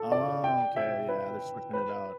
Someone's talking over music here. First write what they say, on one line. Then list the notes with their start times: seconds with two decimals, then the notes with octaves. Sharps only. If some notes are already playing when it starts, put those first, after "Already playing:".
Okay, yeah, they're switching it out.
Already playing: A4
0.12 D5
0.44 G5
0.76 E5
1.09 B4
1.73 B4